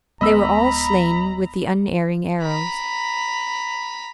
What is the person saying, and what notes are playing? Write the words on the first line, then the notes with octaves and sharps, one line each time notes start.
They were all slain with the unerring arrows.
D1 G#3 B3 D#5 A#5 B5 E6
A#5 B5